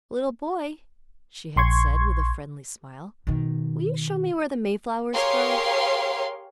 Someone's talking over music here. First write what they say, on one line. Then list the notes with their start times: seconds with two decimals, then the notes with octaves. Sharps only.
"Little boy," she had said, with a friendly smile, "will you show me where the mayflowers grow?"
1.56 A#1 C6 C#6 G#6
3.27 B2 D#3
5.13 G4 G#4 A#4 C#5 F5 C6